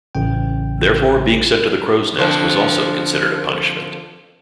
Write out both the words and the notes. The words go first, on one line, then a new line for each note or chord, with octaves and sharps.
Therefore, being sent to the crow's nest was also considered a punishment.
A1 C#3 G5
F2 D3 F3